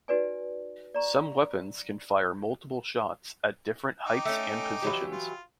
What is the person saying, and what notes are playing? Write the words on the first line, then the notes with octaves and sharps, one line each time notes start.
Some weapons can fire multiple shots at different heights and positions.
D#4 F#4 B4 D5 G#5
D5 A#5 C#6
D#4 G5 D6
A3 C#4
E3 F#3 G4
F4